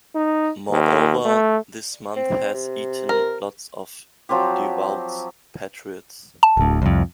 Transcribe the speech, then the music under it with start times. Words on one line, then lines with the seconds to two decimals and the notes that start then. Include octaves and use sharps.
Moreover, this month has "eaten" lots of devout patriots.
0.15 D#4
0.71 D#2
1.25 A3
2.16 C4
2.53 C3
3.09 A#4
4.29 F3 F#3 C4 G4
6.43 A5
6.57 D1 D2
6.82 C2 F2